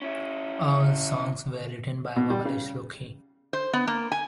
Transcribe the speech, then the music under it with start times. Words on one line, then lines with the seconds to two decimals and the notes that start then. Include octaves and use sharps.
All songs were written by vocalist Ruki.
0.02 C#4 E4
2.16 B2
2.30 G3
2.45 C#3
3.53 C5
3.73 B3
3.87 A#3
4.12 G#5